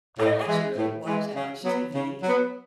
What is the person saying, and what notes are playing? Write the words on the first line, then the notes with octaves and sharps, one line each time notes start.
I don't actually really watch that much TV.
A2
E3 G#3
A2
E3 G#3
C#3
F#3 B3
C#3
F#3
B3